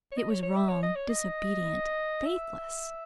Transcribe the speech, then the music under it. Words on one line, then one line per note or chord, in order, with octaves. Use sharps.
It was wrong, disobedient, faithless.
C#5
D#5
C#5
C#5
E5
C#5
D#5
C#5
D#5
E5